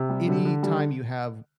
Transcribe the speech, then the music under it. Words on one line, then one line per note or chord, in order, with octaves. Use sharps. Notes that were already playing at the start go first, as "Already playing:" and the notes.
anytime you have v
Already playing: C3
G3
D3
D3
G3